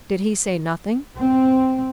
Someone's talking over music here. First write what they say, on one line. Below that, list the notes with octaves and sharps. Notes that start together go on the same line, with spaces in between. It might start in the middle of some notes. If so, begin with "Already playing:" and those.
Did he say nothing?
C4